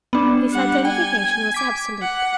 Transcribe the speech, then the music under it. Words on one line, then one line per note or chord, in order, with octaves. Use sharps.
His identification was absolute.
B3 D4
G3 F#5
G5 G#5
D6 B6
F#5